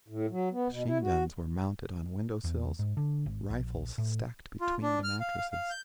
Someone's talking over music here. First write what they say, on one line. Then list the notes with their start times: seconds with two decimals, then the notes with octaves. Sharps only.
Machine guns were mounted on window-sills, rifles stacked between the mattresses.
0.08 A2
0.30 F#3
0.52 B3
0.70 B2
0.86 E4
1.02 F#4
2.44 E2
2.79 G#2
2.97 D3
3.26 G#1
3.50 A#1
3.98 A2
4.61 F4
4.82 D4
5.04 F6
5.20 F5
5.37 F5
5.52 F5
5.70 G6